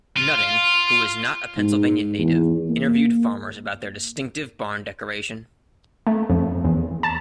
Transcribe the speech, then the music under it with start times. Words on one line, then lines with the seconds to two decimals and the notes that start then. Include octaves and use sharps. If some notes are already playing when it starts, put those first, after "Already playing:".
Nutting, who was not a Pennsylvania native, interviewed farmers about their distinctive barn decoration.
0.17 F4
1.58 G#2
2.19 E2
2.70 A#3
6.07 A3
6.30 F2
6.64 E2
7.03 A5